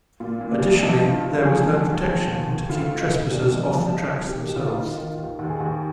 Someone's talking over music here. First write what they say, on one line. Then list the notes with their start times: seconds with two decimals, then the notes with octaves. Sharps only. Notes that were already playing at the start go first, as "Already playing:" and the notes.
Additionally, there was no protection to keep trespassers off the tracks themselves.
0.20 A#2 F4
0.41 A#2
0.51 D4
0.62 C2
0.83 F3 D#4
1.03 G2
1.14 F4
1.24 G2
1.45 F3 G#4
1.66 F3
1.87 D#2
2.07 F3
2.28 D#2
2.49 D#2
2.69 D2 F4
2.90 D2
3.00 D#4
3.11 D#3
3.31 C2 D4
3.52 F3 D4
3.73 F3
3.93 C2 D#4
4.14 C2
4.25 G4
4.35 D#3
4.44 G4
4.56 D#3 F4
4.77 D#3
4.87 F4
4.97 D#3
5.18 D#2
5.39 D#2
5.49 G#4
5.60 D#2